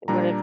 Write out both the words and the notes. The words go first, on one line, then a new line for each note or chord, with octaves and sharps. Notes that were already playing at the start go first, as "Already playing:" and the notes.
It would've
A#2 G3 D4 A#5